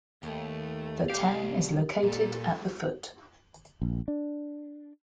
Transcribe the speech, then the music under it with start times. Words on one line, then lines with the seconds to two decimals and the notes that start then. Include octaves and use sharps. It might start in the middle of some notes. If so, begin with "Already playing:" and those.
The town is located at the foot.
0.23 D#2 A3
1.10 C2 G4 F5
2.03 A#2 G3 A4
3.82 A#1
4.08 D4